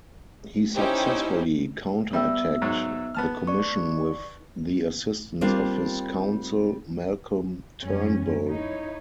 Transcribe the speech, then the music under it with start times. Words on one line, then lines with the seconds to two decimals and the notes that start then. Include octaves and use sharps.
He successfully counter-attacked the Commission with the assistance of his counsel Malcolm Turnbull.
0.74 C#4 D#4 E4 G4 C5
2.13 G3 B3 E5 E6
2.62 G#2 F#3 D#4
3.15 B3 A5 F6
3.47 D5 C#6
5.41 G3 A#3 C4 D4 F4
7.82 F#2 F3 G3 C#4
8.49 D#4 E4 C#5